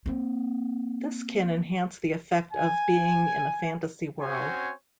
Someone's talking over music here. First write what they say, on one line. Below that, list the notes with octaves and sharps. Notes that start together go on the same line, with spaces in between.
This can enhance the effect of being in a fantasy world.
A#3 C4
G#5
C4 C#4 F#4 C5 C#5 G#5